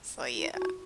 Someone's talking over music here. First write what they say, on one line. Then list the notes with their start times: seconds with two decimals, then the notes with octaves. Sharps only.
So, yeah.
0.34 E4
0.54 F#4